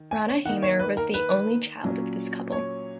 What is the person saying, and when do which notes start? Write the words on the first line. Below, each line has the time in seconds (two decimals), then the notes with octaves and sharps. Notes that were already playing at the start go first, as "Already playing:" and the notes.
Rana Hammir was the only child of this couple.
Already playing: D#3
0.11 G#5
0.29 C#5
0.45 D#3 A#3 D#4 F#5
0.62 C#5
0.79 B4
0.97 A#4
1.14 B4
1.83 A#2 F#3 C#4
2.52 C#5